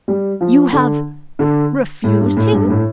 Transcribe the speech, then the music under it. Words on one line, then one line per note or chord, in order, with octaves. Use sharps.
"You have--refused him?"
G3
F3
D3
D3
A2
G2
A2
G2
G2
A2